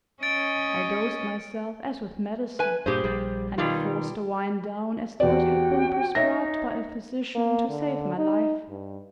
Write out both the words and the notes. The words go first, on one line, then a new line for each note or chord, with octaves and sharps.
I dosed myself as with medicine, and I forced the wine down as though it had been prescribed by a physician to save my life.
C#4 D#5 A6 D7
B4 G#5
G2 A#2 G4 G#4 C5
A#1 G3
B2 D#3 G3 F4
E2 F#4 G4 D5 G5
D#4 C#5 E5 A#6
A#3
D3
D#4
G2